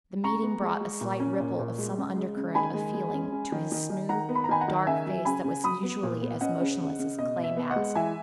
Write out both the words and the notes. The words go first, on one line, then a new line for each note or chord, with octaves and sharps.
The meeting brought a slight ripple of some undercurrent of feeling to his smooth, dark face that was usually as motionless as a clay mask.
C#3 A#5 C#6
B3
G#3
G#3
A#2
C#4
A#2
A#2
G#3
C#3
G#3
C#3
D#3 G#5 B5
G#3
G#3
C#4
C#4
D#3
D#3
D#3
D#3 F#5 A#5
B3
B5
A#5
D#3 G#5 B5
F#5 A#5
D#3
C#3 E5 G#5
F#3
C#3 G#5 B5
C#3
F#3 B5 D#6
B3
A#2
B3
C#4 D#5 F#5
C#3
C#3
C#3
B2 D#5
B2
E5
B3
D#5 F#5
G#3
E3 E5 G#5